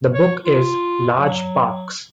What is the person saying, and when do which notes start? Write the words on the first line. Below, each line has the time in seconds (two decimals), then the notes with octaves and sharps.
The book is "Large Parks".
0.14 C#5
0.45 F4
1.18 F#3